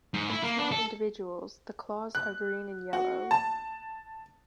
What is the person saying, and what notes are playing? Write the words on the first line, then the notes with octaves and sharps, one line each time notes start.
In small individuals, the claws are green and yellow.
G#2
E4
A#3
D4
A4
F#6
F#4
A5